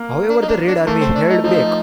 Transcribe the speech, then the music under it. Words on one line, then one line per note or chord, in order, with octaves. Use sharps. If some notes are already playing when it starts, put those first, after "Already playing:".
However, the Red Army held back.
Already playing: A#3
D4
D#4
D4
D4
A3 A#3
C4
D4
D#4
F3 D#4